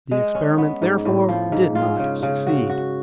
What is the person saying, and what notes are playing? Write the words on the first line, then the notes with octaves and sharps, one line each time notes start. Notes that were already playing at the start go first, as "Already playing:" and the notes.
The experiment, therefore, did not succeed.
G#3
C#4
B3
G#2
A2
F3
G#2
F4
C#3
C#3
F#4
F#4